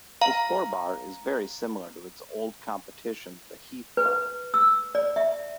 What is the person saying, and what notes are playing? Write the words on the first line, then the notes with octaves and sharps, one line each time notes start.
The Skor bar is very similar to its old competition the Heath Bar.
F5 A#5
B4
E6
D5
E5